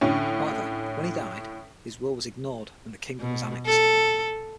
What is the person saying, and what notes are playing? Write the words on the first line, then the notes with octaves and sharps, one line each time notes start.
However, when he died, his will was ignored, and the kingdom was annexed.
A2 D3 C#4
B2
A4